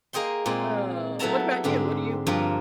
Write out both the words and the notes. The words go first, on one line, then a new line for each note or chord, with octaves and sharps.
Uh, what about you? What do you
A#3 G#4 D#5 G5 C6
A#2 G#3 C4
F#3 A3 B3 E4 A5 A#5
G#2 D3 C4
G2 F3 A#3 F4